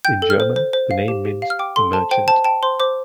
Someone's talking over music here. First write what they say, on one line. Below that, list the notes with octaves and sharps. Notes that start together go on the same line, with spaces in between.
In German, the name means "merchant".
G5 G6
A4
F6
C5
C5
C5
F5
G4
G4
F5
F6
G5 D6
A4 C6
C5 A5
C5 G5
C5 A5
G5 A5
C5 C6
C5 D6